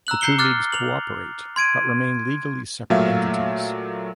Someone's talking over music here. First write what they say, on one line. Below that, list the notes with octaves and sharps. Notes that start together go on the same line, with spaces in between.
The two leagues cooperate but remain legally separate entities.
A#5 E6 F#6 F#7
A#5 G6 C7 C#7 G7
D6 F6 F#6 A6
F7 F#7
C6 G#6 D7 D#7
A#2 F#3 A3 A4 E5 F5